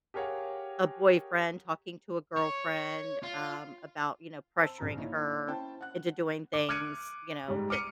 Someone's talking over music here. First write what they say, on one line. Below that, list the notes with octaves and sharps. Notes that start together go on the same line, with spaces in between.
a boyfriend talking to a girlfriend, um, about, you know, pressuring her into doing things, you know, that
G4 G#4 A#4 C#5 F5 F#5
C#5
F4
C5 A5 E6
A#1 C#3 A#5
A#3 D#4 E4 C#5 D#5
C#4 E4 C5 G5 A5
F#5 F#6
D6
D6 F6 F#6 G#6 C#7 D#7
G#2 G3
D6 F6 C#7 D#7